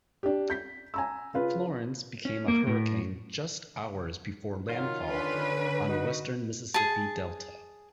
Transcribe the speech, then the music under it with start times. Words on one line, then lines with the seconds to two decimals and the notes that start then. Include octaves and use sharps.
Florence became a hurricane just hours before landfall on the western Mississippi Delta.
0.23 D4 G4
0.50 G6 B6
0.94 G#5 A#5 E6
1.34 C#3 F4 B4
2.25 C#4
2.48 A#3
2.67 A2
4.69 D#3 F#3 F4
5.08 D3 C#4 B4
5.89 D#4 F#4
6.74 G#4 A5